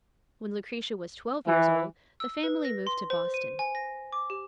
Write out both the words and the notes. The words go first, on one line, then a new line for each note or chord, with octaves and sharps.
When Lucretia was twelve years old, the family moved to Boston.
E3
E6
B4
A#6
C6
C5
D#7
G#5
A#6
D6
G4